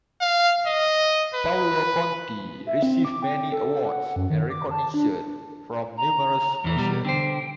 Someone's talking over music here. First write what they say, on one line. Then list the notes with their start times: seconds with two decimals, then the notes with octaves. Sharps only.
Paolo Conte received many awards and recognitions from numerous nations.
0.21 F5
0.66 D#5
1.35 B4
2.67 E5
2.83 C4
3.05 D6
3.22 G5
3.52 A4
3.85 F#5
4.16 F#2
4.30 D#3
4.50 D6
4.71 A5
4.94 D4
5.97 A#5
6.64 E2 E3
6.76 B2 G3
7.05 D3 C5 G5